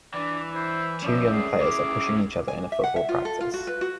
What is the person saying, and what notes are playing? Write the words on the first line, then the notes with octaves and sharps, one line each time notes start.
Two young players are pushing each other in a football practice.
E3 D4 D5
E4 C5
F3 C#4 D5 E5
G#4
C#4 E4 D6
G#5
E5
F#5
E5
F4
A4
F4
F#4
B4
F#4